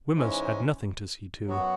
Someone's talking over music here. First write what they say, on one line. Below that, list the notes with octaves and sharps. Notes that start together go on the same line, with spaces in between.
Wemyss had nothing to see to.
G#2 E3 G#3 C#4
F#2 F#3 B3 F#4